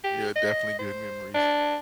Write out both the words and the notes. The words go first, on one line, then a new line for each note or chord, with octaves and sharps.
Yeah, definitely good memories.
G4
D#5
C5
D4